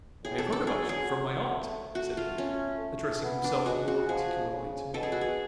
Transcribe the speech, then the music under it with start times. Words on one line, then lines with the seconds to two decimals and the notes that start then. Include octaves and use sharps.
"I have heard about you from my aunt," said he, addressing himself more particularly to me.
0.25 A2 G#4
0.38 A4
0.52 A4
0.67 F#3 G#4
0.89 G#4
1.52 A3
1.95 A3 F#4
2.17 F4
2.38 C#4
2.81 A3
3.23 B3
3.44 D4
3.66 G#3 F#4
3.88 F#4
4.09 F3 G#4
4.52 C#3
4.94 B2 A4
5.03 G#4
5.12 F#4
5.21 G#4